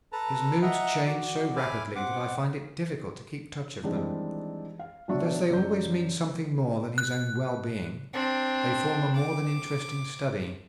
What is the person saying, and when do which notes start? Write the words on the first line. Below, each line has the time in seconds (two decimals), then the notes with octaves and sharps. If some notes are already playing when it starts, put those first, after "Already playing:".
His moods change so rapidly that I find it difficult to keep touch of them, and as they always mean something more than his own well-being, they form a more than interesting study.
0.12 A4 B4 A5 A#5
0.62 D#5 E5 F#5 A#5
1.06 F#4 D5
1.56 E5 G#5 B5 D6 F6
1.95 C4 F#5 D6
3.83 D#3 E3 G3 G#3 C4 D4
4.79 F5
5.08 B1 F#3 D4 E5 C#6
5.50 F#2 D5 G6
6.98 F#6
8.14 C4 D4
9.16 D6